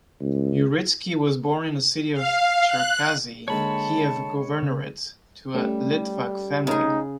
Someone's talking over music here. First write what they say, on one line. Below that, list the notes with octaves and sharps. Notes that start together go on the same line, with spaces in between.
Uritsky was born in the city of Cherkasy, Kiev Governorate, to a Litvak family.
C#2
F5
F#6
D3 G#3 A#3 C#5 A5 B5
C#3
G3 A3 C#4 G4
C#3 D#4 G#4